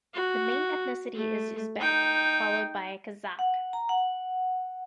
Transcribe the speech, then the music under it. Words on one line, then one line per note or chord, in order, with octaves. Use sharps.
The main ethnicity is Uzbek, followed by Kazakh.
F#4
A3
D#4 G5
F#5
A#5
F#5